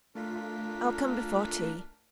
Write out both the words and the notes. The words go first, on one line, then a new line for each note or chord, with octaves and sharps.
I'll come before tea.
A3 D4 F4 A#4 B6